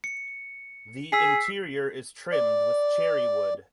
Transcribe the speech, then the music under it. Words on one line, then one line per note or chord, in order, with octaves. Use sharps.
The interior is trimmed with cherry wood.
C#7
G#4 E6 B6 C7
D5